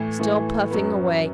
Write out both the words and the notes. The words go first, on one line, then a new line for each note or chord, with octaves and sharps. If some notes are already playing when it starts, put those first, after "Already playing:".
Still puffing away.
Already playing: A2 E3 A3
A2 E3 A3
F#2 F#3 B3